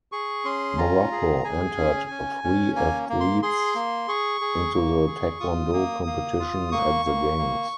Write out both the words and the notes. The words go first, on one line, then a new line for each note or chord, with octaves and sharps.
Morocco entered three athletes into the taekwondo competition at the Games.
G#4 C#6
C#4 C6
F4 A#5
G#4
G#4 G#5
C#4
C#4
C#4
A#3 G#5
A#3
C6
G#4 C6
A#3
G#4 C#6
G#4
A#3
G#4
F4 D#6
A#3
A#3
F4
A#3 C#6
A#3
A#3